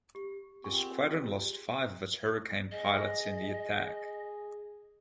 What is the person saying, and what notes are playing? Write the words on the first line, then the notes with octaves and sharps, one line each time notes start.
The squadron lost five of its Hurricane pilots in the attack.
G4
A#2 B3 C4 F4 G4 G#4 C#6
G#4 D#5